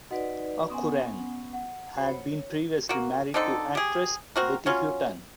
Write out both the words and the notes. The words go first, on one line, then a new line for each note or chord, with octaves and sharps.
O'Curran had been previously married to actress Betty Hutton.
D#4 F#4 B4 D5 D#5 F#5
B3 C#4 F#5 G#5 C6 D#6
F#5
F#4 C5 B5
C#5
A#3 F#4
D3 C4 D#4 A4
G4 G#4
C4 F#4 A#4
F#3 C#4 F4